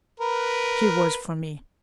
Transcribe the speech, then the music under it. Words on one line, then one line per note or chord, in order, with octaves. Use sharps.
She was for me.
A#4 B4